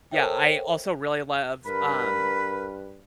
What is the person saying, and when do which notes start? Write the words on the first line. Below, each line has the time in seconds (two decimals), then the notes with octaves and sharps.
Yeah, I also really love, um,
0.11 A4 A#4 C5 C#5 E5 G5
1.66 G2 A#4 B4 B5